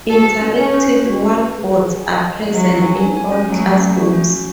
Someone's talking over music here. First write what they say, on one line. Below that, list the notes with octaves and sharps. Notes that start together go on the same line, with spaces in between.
Interactive whiteboards are present in all classrooms.
F#4 A4
B4
C#4
C#4 B4
C#4
C#4
F#4
B4
B4
G#4
G#4
G#5
G#5
D#5
D#5
F#3 G#4
C#4
G#5
G#5
G#5
C#4
F#3 A3
C#4
A3
F#4
C#4
F#4